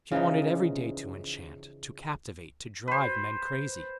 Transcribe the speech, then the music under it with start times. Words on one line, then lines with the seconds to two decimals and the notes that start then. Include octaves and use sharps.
She wanted every day to enchant, to captivate, to drive men crazy.
0.11 C#3 E3 F3 D#4
2.88 B4 C5